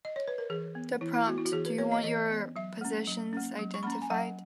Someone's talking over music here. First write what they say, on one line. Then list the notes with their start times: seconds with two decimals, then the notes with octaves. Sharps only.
The prompt Do you want your possessions identified?
0.05 D#5
0.16 C#5
0.28 B4
0.38 A#4
0.50 E3 G#4
0.75 B3
1.01 E3 E4
1.14 E4
1.27 B3 F#4
1.38 E4
1.45 F#4
1.52 E3 G#4
1.66 B4
1.78 B3 C#5
1.92 D#5
2.04 E3 D#5
2.30 B3
2.56 F#3 E5
2.81 A#3 C#4
3.07 F#3
3.33 A#3 C#4
3.59 F#3
3.74 C#6
3.83 A#3 C#4 B5
3.92 A#5
4.02 G#5
4.10 F#3 F#5